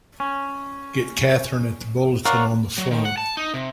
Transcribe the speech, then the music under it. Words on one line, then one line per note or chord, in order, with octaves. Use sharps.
Get Katherine at the Bulletin on the phone!
C#4
A#4 C#5 D5 F5 F#5
F#3
D#3
F#5
A5
D#4
C3